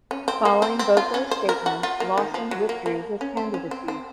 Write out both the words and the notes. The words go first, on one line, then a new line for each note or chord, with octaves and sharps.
Following Boko's statement, Lawson withdrew his candidacy.
C#4
C4
A#3
C4
C4
F4
C#4
C5
A#4
F#4
F4
A#3
D#3
F3
F#3
A#3
A#3
C#4
C4
C#4
C4
C4